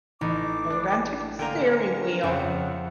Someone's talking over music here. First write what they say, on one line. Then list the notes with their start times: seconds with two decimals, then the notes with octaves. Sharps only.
hold on to the steering wheel
0.21 A1 D#4 D6
0.70 D4
1.39 D3 A#3 A#4 G5 G#5 A#5
2.23 F2 C#3 C4 F#5 G5